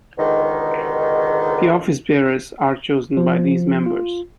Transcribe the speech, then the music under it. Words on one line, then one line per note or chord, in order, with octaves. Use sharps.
The office-bearers are chosen by these members.
C#2 G#2 B2 D3 D#3
F3
F4